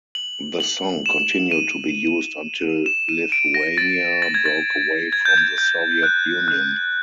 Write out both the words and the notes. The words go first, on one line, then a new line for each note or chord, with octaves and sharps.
The song continued to be used until Lithuania broke away from the Soviet Union.
F#7
F#7
E7
D#7
E7
D#7
D7
A#6
A6
A6
G#6
A6
G#6
G6
G#6
G6
F#6
F#6